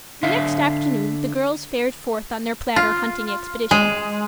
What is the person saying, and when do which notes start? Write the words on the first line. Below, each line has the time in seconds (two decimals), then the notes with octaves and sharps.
The next afternoon the girls fared forth on their platter hunting expedition.
0.23 D3 E5 F5
2.76 F4
3.71 G#3